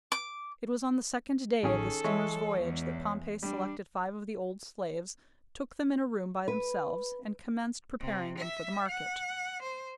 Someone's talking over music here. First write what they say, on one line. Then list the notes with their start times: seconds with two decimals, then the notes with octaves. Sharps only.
It was on the second day of the steamer's voyage that Pompey selected five of the old slaves, took them in a room by themselves, and commenced preparing them for the market.
0.12 D6
1.63 A1 D#3 C#4 G#4 A4
2.04 E3 G#3 C#5 E5
2.61 E2
3.43 G3 D4
6.48 B4
8.00 C3
8.39 E5
8.89 F#5
9.63 C5